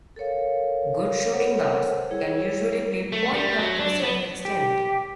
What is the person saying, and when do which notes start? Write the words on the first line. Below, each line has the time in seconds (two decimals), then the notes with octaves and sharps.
Good shooting guards can usually play point guard to a certain extent.
0.16 A4 A#4 C#5 F5
1.33 A4 A#4 C5 C#5 F#5
2.11 G3 E4 G#4 C#5
3.12 A3
3.34 G3
3.59 F#3
3.79 D4
4.03 B3
4.45 G4